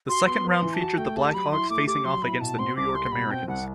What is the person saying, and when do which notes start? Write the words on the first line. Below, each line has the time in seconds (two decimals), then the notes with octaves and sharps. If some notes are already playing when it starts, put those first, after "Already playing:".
The second round featured the Black Hawks facing off against the New York Americans.
0.09 F#4 C6
0.26 B3 C6
0.45 B4
0.50 C6
0.62 E3
0.74 A5
0.81 F#4
0.98 A3 G5
1.16 G4 A5
1.34 F#3 B5
1.52 E4 C6
1.70 A3 D6
1.87 G4 D6
2.05 F#3 C6
2.23 E4 B5
2.40 B2 A5
2.59 C4 C6
2.76 C2 D6
2.95 G3 C6
3.12 B2 B5
3.31 C4 G5
3.48 C2 F#5